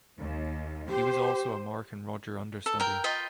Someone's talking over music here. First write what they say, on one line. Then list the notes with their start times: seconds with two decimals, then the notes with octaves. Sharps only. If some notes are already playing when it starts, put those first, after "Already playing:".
He was also a Mark and Roger understudy.
0.18 D#2
0.89 G4 C5
2.66 A4
2.80 A#4 G5
3.04 F4 D#5 G5 B5